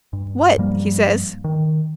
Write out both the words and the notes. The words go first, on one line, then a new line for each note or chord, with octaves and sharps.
"What?" he says.
G2
G2 F3 G3 A#3
D#3